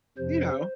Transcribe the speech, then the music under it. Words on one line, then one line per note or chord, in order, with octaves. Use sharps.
you know,
F2 C3 F3 C5